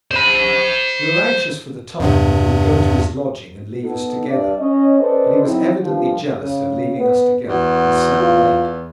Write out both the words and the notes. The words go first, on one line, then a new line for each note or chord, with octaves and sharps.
We were anxious for the time when he would go to his lodging and leave us together, but he was evidently jealous of leaving us together, and sat late.
C5 B5
E2 G2 C3
B3 D#4 A4
G2 D5
C#4 D#5
C#4 A4 B4 C5 D5 D#5
F#3 C4 D#4 E4
G2 A#2 F3 G4
C#3
B3
E2 F#4
F4